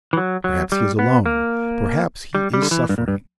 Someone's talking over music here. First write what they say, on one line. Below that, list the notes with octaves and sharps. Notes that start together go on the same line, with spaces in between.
Perhaps he is alone. Perhaps he is suffering.
E3
F#3
F#3
G3
B3
A#3
G3
G3
D3
E3
G2
A#2
G2